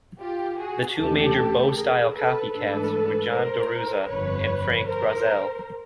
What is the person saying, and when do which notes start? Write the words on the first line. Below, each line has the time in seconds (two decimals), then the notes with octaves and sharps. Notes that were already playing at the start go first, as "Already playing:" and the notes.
The two major Bo-style copycats were John Dorusa and Frank Brazzell.
0.20 F4 G4
0.58 F#4 G#4
0.97 D#2 C#3 E3 A3 D4 G4 A4
1.75 G#4 A#4
2.14 A4 B4
2.53 G#2 E3 A3 D4 A4 B4
3.31 A#4 C5
4.09 G1 F2 D3 F3 B4 C#5
4.87 A#4 C5